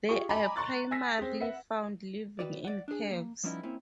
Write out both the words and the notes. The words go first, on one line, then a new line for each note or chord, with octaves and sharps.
They are primarily found living in caves.
F4 G4 G#4 C#6
D#5 G#5 A#5 B5 D6
A#5 C6 C#6 F#6 A6
G#5 E6 A#6 B6
C4 G#4
B4 E5 F#5
D#3 F#4 B4 D5
D5 F#5
D4 G#4
A#3
F3 G3 B3 C#4 D#4 E4
A#3 C4 C#4 E4